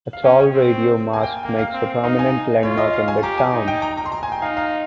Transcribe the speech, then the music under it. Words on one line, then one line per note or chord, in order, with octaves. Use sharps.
A tall radio mast makes a prominent landmark in the town.
F5
C#4 G5
G5
C4
A#3 G#5
G5
A#3 G5
F5
C4
D#4 F5
G#5
F4 C#5
D#5
F5
G#5
G4 A#5
G#5
D#4
G5
A#5
A#5
C6
A#5
G#5
G5
D#4 F5
F5